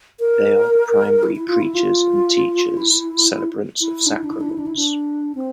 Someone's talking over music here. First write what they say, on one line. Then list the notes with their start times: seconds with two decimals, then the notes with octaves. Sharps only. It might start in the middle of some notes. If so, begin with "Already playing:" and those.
They are the primary preachers and teachers, celebrants of sacraments.
0.20 A#4
1.23 E4
1.36 E4
1.48 F4
1.61 E4
1.75 F4
2.77 E4
3.81 E4
4.07 D4
4.15 E4
4.24 D4
4.32 E4
4.41 D4
4.50 E4
4.58 D4
4.66 E4
4.76 D4
5.35 C4